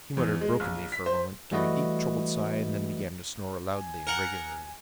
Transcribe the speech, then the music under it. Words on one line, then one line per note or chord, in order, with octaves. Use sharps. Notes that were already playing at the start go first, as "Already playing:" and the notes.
He muttered brokenly for a moment, gave a deep troubled sigh, and then began to snore loudly and regularly.
E2
G#3
A#1
B6
C5
E3 G3 A3 F#4 B4 D#5
G#5
A#4 F#5